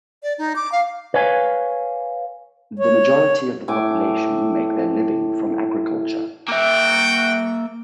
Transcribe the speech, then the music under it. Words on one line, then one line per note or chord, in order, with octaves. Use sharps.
The majority of the population make their living from agriculture.
D5
D#4
D6
F5
B4 C#5 F5 G#5
C#5
A2 G#5 D6
A#3 F#4 E5 F#5 G5